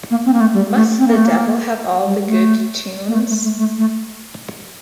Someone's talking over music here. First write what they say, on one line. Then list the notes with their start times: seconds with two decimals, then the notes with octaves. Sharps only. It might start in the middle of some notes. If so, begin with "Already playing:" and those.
Must the Devil Have All the Good Tunes?
0.11 A#3
0.25 C4
0.33 A#3
0.40 A3
0.54 G3
0.75 A3
0.98 C4
1.07 A#3
1.16 A3
1.26 A#3
2.06 G3
2.27 A3
3.08 A#3
3.14 A3
3.28 A3
3.43 A3
3.57 A3
3.78 A3